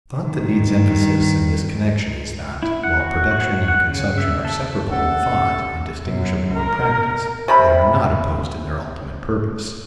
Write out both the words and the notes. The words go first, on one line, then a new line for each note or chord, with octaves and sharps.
The thought that needs emphasis in this connection is that, while production and consumption are separable in thought and distinguishable in practice, they are not opposed in their ultimate purpose.
G2 D#3
E4
F#5
F#4
F#4
F#5
C#3
E5
A4
C#4 G4 A4 E5 F#5
F#2
A#4
C3 B5